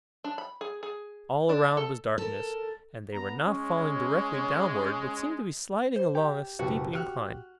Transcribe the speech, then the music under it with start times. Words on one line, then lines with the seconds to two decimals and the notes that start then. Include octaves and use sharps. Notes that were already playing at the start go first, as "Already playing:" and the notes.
All around was darkness, and they were not falling directly downward but seemed to be sliding along a steep incline.
0.24 D4
0.38 B5
0.61 G#4
0.83 G#4
1.49 D4
1.77 A4
2.18 A4 A#4
3.14 B3 A#5
3.44 G#3 C#4
5.96 C5
6.15 G4
6.59 F#1 B2 F#4 G4
6.93 F#4 G4 F6 F#6